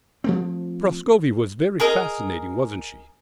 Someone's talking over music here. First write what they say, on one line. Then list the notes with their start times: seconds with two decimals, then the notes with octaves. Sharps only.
"Prascovie was very fascinating, wasn't she?"
0.24 F3 A3 C4
1.80 G#4 A#4 D#5